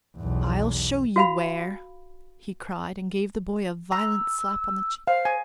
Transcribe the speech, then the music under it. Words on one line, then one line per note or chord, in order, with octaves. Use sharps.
"I'll show you where!" he cried, and gave the boy a violent slap on the cheek.
B1 E2
F#4 F5 B5
A#5 E6
C5 F5
G#5